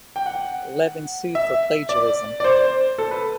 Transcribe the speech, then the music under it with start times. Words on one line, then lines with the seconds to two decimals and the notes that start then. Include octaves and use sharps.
Levin sued for plagiarism.
0.16 G5
0.26 F#5
1.35 E5
1.89 D5
2.40 D5
2.44 C5
2.98 A4
3.11 B4